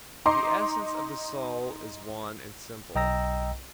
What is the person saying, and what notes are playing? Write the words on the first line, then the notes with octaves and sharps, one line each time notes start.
But the essence of the soul is one and simple.
D#4 A#5 C6 D6
B1 D#5 G5 A#5 E6 A#6